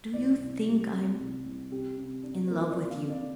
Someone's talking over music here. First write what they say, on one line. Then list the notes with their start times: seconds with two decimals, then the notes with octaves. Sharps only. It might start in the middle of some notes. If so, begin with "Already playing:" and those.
"Do you think I'm--in love with you?"
0.13 C2 D5
0.40 C2
0.67 G3
0.92 C3
1.19 C2
1.45 C2
1.71 C3 G4
1.98 C3
2.23 D4
2.46 C5
2.50 A#3 A#4
2.70 D5
2.77 C3
2.90 F5
3.03 C3
3.10 D5